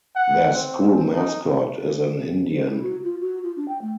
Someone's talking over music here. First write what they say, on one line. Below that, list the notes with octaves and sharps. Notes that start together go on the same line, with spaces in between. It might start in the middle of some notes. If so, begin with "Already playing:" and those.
Their school mascot is an Indian.
F#5
C4
D#4
C5
E4
F#4
F4
F#4
F4
D4
G5
A3